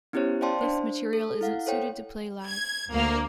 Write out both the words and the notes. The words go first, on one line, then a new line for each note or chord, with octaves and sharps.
This material isn't suited to play live.
B3 C#4 E4 G4 C5 C#5
C5 D5 F5 G5 A5 C6
D4 C5
A4
E4 F5 F#5
A4 C5 C#5 G5
G#6
D2 A#3